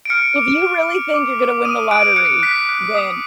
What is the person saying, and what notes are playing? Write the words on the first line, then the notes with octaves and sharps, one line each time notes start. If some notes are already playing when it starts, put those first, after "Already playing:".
If you really think you're gonna win the lottery, then
D7
F6 C#7
D6
F6
D6
D6
D6
D#6 D#7
F#6 D7
F#6 C#7
F#6 B6
F#6
D#6